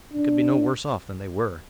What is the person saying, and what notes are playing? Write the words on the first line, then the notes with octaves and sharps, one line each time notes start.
They could be no worse off than they were.
D4